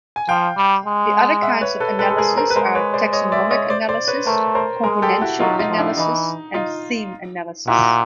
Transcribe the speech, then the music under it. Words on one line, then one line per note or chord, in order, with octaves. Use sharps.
The other kinds of analysis are taxonomic analysis, componential analysis, and theme analysis.
G#5
F3 F5 G5
G3
G#3
E5 F#5
B4 C#5
A4 B4
G#3 A4 B4
A4
G#4 A#4
A#4 C5
B4
G#3 A#4 C5
B4 C#5
C5 D5
C#5 D#5
D5 E5
C#5 D#5
C5 D5
C5 D5
B4 C#5
A3 A#4 C5
A#4 C5
G#3 G#4 A#4
G4 A4
E4 F#4
F#3 D#4 F4
D#4 F4
F3
D4 E4
E3 D#4
D#4 F4
A#2 E4 F#4